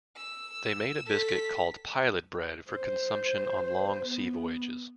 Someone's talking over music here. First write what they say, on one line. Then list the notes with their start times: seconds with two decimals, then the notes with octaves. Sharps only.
They made a biscuit called pilot bread for consumption on long sea voyages.
0.16 E6
1.06 A4 B6
2.70 C5
4.05 B3